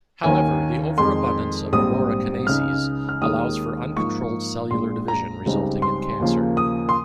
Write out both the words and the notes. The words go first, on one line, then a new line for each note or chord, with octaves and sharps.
However, the overabundance of Aurora kinases allows for uncontrolled cellular division, resulting in cancer.
D#2 D#3 A#3 C#4 G#5
F2 D#3 G#3 C6
A#1 G#2 G3 C4 D#6
C#2 C#3 G#3 D#4 F6
F6
D#2 D#3 G#3 C#4 D#6
G#2 F3 A#3 D#4 C#6
A#1 A#2 G#3 C6
A#5
C#2 C#3 G3 C4 D#4
C6
D#2 C#3 F3 A#3
D#6
C6